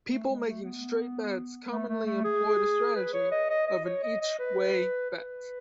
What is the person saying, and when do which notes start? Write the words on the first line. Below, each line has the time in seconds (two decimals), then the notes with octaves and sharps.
People making straight bets commonly employ the strategy of an "each way" bet.
0.10 A3
0.28 G#3
0.45 A3
0.63 B3
1.71 A3
1.89 A3
2.07 A3
2.24 G#4
2.96 B4
3.14 C#5
3.32 D#5
3.50 D#5
3.67 D#5
3.85 C#5
4.03 D#5
4.21 D#5
4.39 B4
5.10 B4